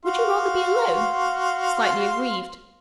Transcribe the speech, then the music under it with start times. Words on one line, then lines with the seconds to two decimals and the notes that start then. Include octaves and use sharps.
"Would you rather be alone?" slightly aggrieved.
0.05 F#4 F5 C6